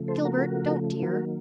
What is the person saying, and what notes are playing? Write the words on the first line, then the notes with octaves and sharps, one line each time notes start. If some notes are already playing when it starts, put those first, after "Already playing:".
Gilbert, don't, dear!
Already playing: C#3 F3 A3
A4 C5
F#4 A#4
D#3 F#3 A#3 F#4 A#4